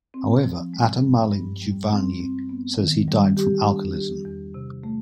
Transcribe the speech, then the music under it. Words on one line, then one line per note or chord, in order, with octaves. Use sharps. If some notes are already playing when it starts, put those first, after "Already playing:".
However, Ata-Malik Juvayni says he died from alcoholism.
C4
F3
G#3
G2
G2
G3
C4
C4
B3
D#3
G3
G4
D4
G4
E2
C3
A3